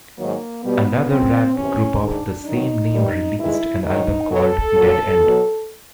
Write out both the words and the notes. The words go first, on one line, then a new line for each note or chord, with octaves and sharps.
Another rap group of the same name released an album called "Dead End".
G#2 D#3 F#3 A#3
B2 G3 B3
F#2 C#3 F#3 C4
E2 C3 E3 C#4
G#2 D#3 G#3 D4
G2 D#3 F#3 D#4
G2 D#3 G3
G2 D#3 G#3 E4
G#2 D#3 F#3 D#4
B2 F#3 A4
A#2 F#3
B2 F#3